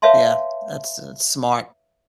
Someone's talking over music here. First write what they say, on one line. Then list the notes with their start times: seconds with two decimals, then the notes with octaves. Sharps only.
Yeah, that's that's smart.
0.02 B4 C#5 E5 F5 A5 C6